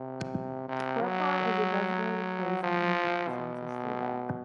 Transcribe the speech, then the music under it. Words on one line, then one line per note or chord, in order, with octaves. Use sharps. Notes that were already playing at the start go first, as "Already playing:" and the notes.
Quirpon is a designated place in Canadian census data.
Already playing: C3
C3
F#3
F3
B2